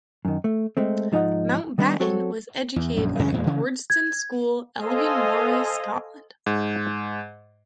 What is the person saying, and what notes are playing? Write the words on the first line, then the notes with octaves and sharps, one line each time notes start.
Mountbatten was educated at Gordonstoun School, Elgin, Moray, Scotland.
F#2 D#3
A3
G#3 A3 C4
G#2 F3 D#4 G#4 D#5 F#5
D#3 G3 B3 D4
F#3 C4 F#4 A4 C#5
E2
A#1 F#2
F#2 C#3 E3 C#4
E2 A#2 G#3
C#3 E3
G#6
A4 C5 D#5 F5 G#5
G#2